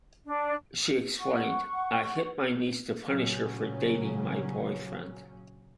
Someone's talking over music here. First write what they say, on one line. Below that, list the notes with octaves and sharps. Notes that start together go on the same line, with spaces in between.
She explained, I hit my niece to punish her for dating my boyfriend.
D4
F#5 C#6
A#2 C#3 F#3 C#4